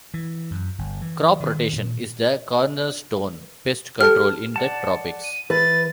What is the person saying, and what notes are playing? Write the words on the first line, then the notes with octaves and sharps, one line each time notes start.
Crop rotation is the cornerstone pest control in the tropics.
E3
F#2
G1
E3
D#3
A#2
G4 A4 F6
D5 F#5 A5
D#7
E3 B4 A6